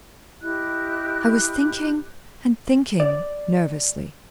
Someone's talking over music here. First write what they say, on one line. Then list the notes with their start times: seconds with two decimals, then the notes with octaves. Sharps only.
"I was thinking--and thinking," nervously.
0.42 E4 G4 D#5 F#6
3.00 D5